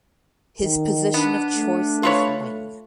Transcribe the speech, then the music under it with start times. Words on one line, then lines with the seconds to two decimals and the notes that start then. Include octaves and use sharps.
His position of choice is Wing.
0.63 D#3
1.14 B3 D4
1.54 A3
2.03 F4 B4 C#5